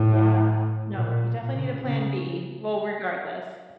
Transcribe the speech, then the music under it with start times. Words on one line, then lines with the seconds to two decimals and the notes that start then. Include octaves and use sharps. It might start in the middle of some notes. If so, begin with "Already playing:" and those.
Yeah. No, you definitely need a plan B, well, regardless,
Already playing: A2
0.94 A#2
1.54 C#3
1.84 C#3